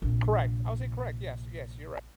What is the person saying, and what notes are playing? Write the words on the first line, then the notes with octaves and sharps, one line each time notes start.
Correct. I would say correct. Yes. Yes. You're right.
A#1 C3